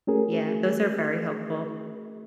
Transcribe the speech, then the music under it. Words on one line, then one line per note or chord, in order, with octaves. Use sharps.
Yeah. Those are very helpful,
A3 C#4 F#4 G#4 A#4